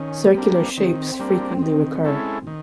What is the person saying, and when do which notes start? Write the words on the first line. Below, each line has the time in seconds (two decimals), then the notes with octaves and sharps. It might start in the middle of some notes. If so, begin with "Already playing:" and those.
Circular shapes frequently recur.
Already playing: D#3 C#4
0.35 G3 A#3 C4 D4
0.77 D#3 C4
1.19 G3 A#3 D4
1.62 D#3
2.05 G#3 C#4 E4 A4
2.47 D#3